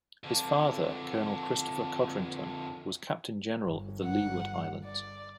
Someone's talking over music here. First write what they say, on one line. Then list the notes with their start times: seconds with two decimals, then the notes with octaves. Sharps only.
His father, Colonel Christopher Codrington, was captain-general of the Leeward Islands.
0.24 F2 D3
3.64 G1
4.03 F#5
4.85 D5